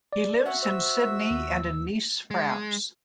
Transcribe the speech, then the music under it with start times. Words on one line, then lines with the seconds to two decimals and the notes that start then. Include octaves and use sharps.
He lives in Sydney and in Nice, France.
0.13 D5
0.46 F#4 E5 F#5
0.63 C5 E6
1.31 D#2
2.31 G#3